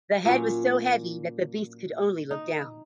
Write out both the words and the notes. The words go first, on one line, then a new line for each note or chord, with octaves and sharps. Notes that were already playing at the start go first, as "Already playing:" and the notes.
The head was so heavy that the beast could only look down.
A#2 F#3 C#4
D#4